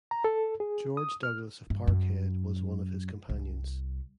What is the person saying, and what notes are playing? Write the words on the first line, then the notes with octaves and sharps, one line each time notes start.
George Douglas of Parkhead was one of his companions.
A#5
A4
G#4
D#6
F6
G2
F#2
C2